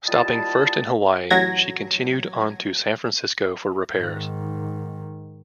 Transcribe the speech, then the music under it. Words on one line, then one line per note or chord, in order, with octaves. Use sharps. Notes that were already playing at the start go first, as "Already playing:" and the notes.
Stopping first in Hawaii, she continued on to San Francisco for repairs.
D#2 G3 E4 F4 D#5 A5
A1 F#3 G#6 A#6
G#2 D#3